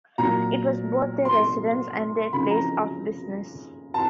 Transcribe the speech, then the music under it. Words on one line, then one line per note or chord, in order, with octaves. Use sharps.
It was both their residence and their place of business.
A#2 F#3 A#5
C6
C#3 F3 B5
A#5
A5